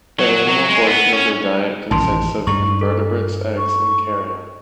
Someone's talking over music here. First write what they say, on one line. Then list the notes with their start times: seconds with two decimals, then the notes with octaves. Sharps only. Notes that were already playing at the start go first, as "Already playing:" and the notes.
The animal portion of their diet consists of invertebrates, eggs, and carrion.
0.19 F#3
0.48 F#3
0.69 G#3
0.87 B3
1.13 C#4
1.91 A1 F#2 D#3 A5 C6
2.47 G2 G3 A#5 C#6
2.81 A4
3.58 C#6